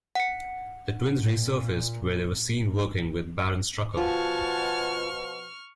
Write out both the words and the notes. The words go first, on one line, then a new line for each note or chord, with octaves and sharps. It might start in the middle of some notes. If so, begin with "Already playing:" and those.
The twins resurfaced, where they were seen working with Baron Strucker.
F#5 C#7
A#2
B2 F3 F4 F#4 G#5 A5 C#6 F6